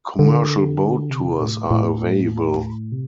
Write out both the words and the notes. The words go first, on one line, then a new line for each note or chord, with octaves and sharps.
Commercial boat tours are available.
D3
C3
A2
A2
C3